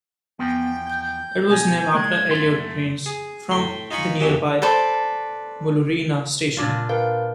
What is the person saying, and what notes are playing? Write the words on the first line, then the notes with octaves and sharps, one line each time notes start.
It was named after Elliot Price, from the nearby Muloorina Station.
E2 F3 B3 G5
G6
B2 G#5
G#3 A#3 G#6
F#2 A3 C6
G#4
A2 G5 C6
D#4 F4 G#5 B5 C#6
B1 F2 E3 F#3 G4
A4 B4 C5 D5
A#2 D4 F4
A#4 B4 F5 G5